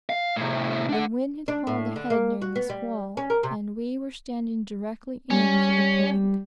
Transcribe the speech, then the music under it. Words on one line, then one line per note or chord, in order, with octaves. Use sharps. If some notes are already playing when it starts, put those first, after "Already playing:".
The wind had hauled ahead during the squall, and we were standing directly in for the point.
F5
A2 C3
D4 F#5
D4
A2
D3
A#3
F#4
B3
G3
C#4
A#4
C3
G3 C#4